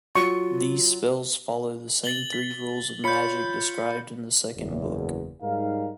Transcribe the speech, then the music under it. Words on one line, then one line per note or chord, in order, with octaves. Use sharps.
These spells follow the same three rules of magic described in the second book.
F#3 F4 C#6
A6 F#7 G7
B6
F4 C#5 B5 G6 C#7
F#1 E2
G#2 G3 D#4 A#4 F5